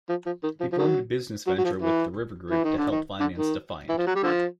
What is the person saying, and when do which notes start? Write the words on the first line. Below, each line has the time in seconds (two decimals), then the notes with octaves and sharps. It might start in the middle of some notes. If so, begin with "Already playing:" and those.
He formed a business venture with The River Group to help finance Defiant.
0.09 F3
0.26 F3
0.43 D#3
0.60 F3
0.72 F3
0.78 D#3 F#3
1.47 F#3
1.58 F#3
1.64 F3
1.82 E3
2.50 E3
2.64 D#3
2.77 D3
2.90 D#3
3.20 D3
3.38 D#3
3.89 E3
3.98 F3
4.07 F#3
4.15 G3
4.23 D3 F3